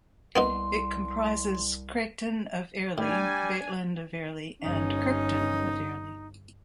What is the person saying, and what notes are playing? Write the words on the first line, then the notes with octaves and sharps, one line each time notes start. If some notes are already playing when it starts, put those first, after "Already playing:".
It comprises Craigton of Airlie, Baitland of Airlie and Kirkton of Airlie.
C2 A#3 B3 D#4 C6
A2 G3 D4 G#5
G1 D#2 B3 C#4 D#4